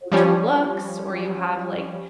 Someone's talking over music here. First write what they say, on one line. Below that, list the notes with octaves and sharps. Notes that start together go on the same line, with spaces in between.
go-to looks, or you have, like,
F3 G3 C#4